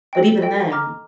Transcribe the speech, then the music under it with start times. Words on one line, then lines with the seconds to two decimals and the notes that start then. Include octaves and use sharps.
But even then,
0.13 A4 D#5 G5
0.42 A4 D#5 G5
0.70 D#5 A#5 D6 F6